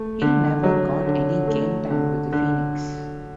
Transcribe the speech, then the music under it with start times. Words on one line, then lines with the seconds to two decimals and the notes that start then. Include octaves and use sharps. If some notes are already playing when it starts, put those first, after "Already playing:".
He never got any game time with the Phoenix.
Already playing: A3
0.22 D3
0.63 F#3
1.06 D3
1.48 A3
1.90 D3
2.33 D3